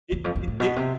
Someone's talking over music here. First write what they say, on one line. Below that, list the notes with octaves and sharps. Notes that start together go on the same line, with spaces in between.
Did did di
E2
F2
F2
A2
B2
C3